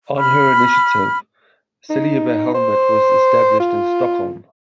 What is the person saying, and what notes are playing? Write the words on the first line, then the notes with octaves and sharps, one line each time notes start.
On her initiative, Silviahemmet was established in Stockholm.
B5 F6
D#4
C5
F4